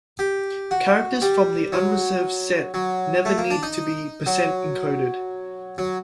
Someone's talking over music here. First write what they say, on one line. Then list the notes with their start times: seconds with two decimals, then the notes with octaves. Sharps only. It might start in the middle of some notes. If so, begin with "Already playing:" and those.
Characters from the unreserved set never need to be percent-encoded.
0.19 G4
0.71 F#4
1.22 G3
1.72 F#3
2.74 F#3
3.25 A3
3.38 A#3
3.51 D4
3.63 D#4
4.26 F#3
5.78 F#3